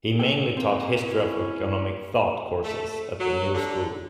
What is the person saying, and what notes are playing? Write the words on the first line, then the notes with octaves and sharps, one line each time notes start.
He mainly taught History of Economic Thought courses at the New School.
G#4 A4 G5
A#2 C4
C#4 E4
A3
F#3
D3